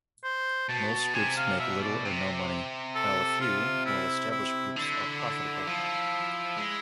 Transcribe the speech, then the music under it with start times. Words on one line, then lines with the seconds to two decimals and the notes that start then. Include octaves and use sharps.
Most groups make little or no money, while a few, well-established groups are profitable.
0.24 C5
0.69 B2 A5
1.14 C3 G#5
1.37 F5
1.59 B2 E5
1.82 D5
2.05 C3
2.95 A4
3.41 F4
3.86 E4
4.31 E4
4.76 D3 E4
5.67 F3
6.58 G#3